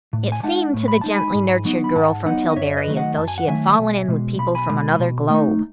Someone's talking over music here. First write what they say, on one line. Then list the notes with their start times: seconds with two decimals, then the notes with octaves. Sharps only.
It seemed to the gently nurtured girl from Tillbury as though she had fallen in with people from another globe.
0.13 A2
0.32 G#5
0.43 G#3 D#4 F#5 A5
0.74 A2
0.88 B5
1.01 G#3 D#4 A5
1.15 G#5 B5
1.35 G#2
1.65 F#3 B3 D#4
1.84 B5
1.95 G#2 F#5 A5
2.26 F#3 B3 D#4 D#5 F#5
2.50 D#5
2.56 F#2 C#5 E5
2.71 E5
2.77 B4 D#5
2.87 D#3 F#3 A3
2.97 D#5 F#5
3.17 F#2 A5
3.28 G#5
3.38 F#5
3.48 D#3 F#3 A3 E5 G#5
3.78 B1
4.08 B2 G#3
4.39 B1 B5
4.55 G#5 B5
4.69 B2 G#3
5.00 B2
5.30 A3 D#4